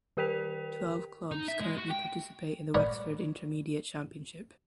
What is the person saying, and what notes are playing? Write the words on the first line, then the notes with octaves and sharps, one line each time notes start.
Twelve clubs currently participate in the Wexford Intermediate Championship.
D#3 G4 A#4 G5 B6 F7
D#4
E5
G#3
F#4
G5
A#4 C#5 D5 F#5 B5